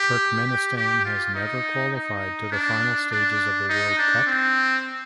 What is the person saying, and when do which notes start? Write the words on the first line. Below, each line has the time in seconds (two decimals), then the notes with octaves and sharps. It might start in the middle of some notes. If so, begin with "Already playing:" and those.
Turkmenistan have never qualified to the final stages of the World Cup.
Already playing: G4
0.46 G4
0.77 G4
1.05 F4
1.35 D#4
1.93 D#4
2.52 D4
3.11 D4
3.69 D#4
3.99 D4
4.27 C4